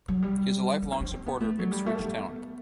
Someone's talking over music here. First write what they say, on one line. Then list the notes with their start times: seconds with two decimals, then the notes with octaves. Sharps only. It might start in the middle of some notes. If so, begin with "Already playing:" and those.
He is a lifelong supporter of Ipswich Town.
0.08 F#3
0.22 G3
0.82 B3
0.92 C4
1.01 D4
1.12 C4
1.26 B3
1.40 A3
1.59 F#3
1.71 G3
1.86 A3
1.99 B3